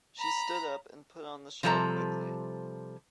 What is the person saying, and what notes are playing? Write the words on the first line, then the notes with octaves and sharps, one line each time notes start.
She stood up and put on the shawl quickly.
A#5 B5
C3 F3 G3 A4 A5 A#5